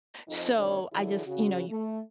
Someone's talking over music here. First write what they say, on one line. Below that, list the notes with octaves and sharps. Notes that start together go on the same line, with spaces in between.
So I just, you know, y
F2 D#4
D2 G2 C3 D#3 D4 C#5
D3 E3 F#3 E4 G#4
C#3 F#4
A3